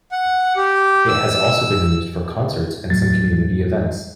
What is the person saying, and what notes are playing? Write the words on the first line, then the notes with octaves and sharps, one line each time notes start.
It has also been used for concerts and some community events.
F#5
G4
E6
D#2 A2 F#3 A6